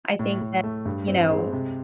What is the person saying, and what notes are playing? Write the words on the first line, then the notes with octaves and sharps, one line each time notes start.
I think that, you know,
A2
A2
A3
G2
C4
G#3
C3